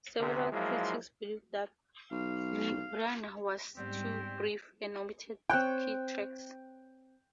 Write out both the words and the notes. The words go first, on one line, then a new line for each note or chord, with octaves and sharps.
Several critics believed that "Nirvana" was too brief, and omitted key tracks.
D2 C3
F3 F#3 G#3 A#3 E4 F4
B1 F5
G#2 G3 B3 C4 D4 G4
C4 C#5 G5 F#6